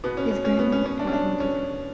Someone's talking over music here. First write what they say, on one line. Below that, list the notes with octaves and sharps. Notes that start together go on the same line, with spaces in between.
His grandmother taught him to cook.
B2 B3
C#4
C#4
C#4
B3
C#4
C#4
D4
C#4
D4
C#4